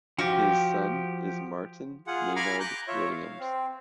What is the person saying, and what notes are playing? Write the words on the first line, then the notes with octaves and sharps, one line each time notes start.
His son is Martin Maynard Williams.
F3 F#4 G4 F5 G5
F4 G#4 F#5
F5 G#5 A#5 B5 D6 F6
A#5 D6 F#6 G6
F4 C#5 E5
F5
C4